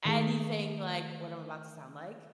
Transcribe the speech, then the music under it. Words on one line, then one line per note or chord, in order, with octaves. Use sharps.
Anything like what I'm about to sound like.
D#3 A3 G#4